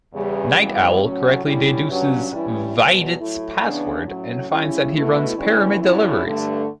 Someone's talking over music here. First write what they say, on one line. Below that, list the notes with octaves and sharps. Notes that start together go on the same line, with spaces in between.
Nite Owl correctly deduces Veidt's password and finds that he runs Pyramid Deliveries.
E2 C#3 G3
F#2 C#3 E3 G3 B3
A2 F#3 C#4
D3 G3 C#4 E4
G2 F#3 C#4
G2 E3 G3 C#4 E4
E2 B2 F#3
A2 F#3 A3 E4
C#3 E3 B3 D4
A2 F#3 C#4
C#3 G3 C#4 E4
B2 A3 E4
E2 D3 G3 C#4 E4
D3 F#3 C#4 E4
G2 D3 A3